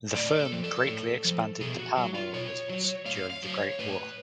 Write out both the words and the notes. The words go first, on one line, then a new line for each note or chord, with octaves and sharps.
The firm greatly expanded the palm oil business during the Great War.
A2 D5
A4
F3
A4
A2
F3
B2 G#4
F#4
F#3 F#4
F4
B2 C#5
F#3
A2 F5
F5
F#3
C#5
A2 B4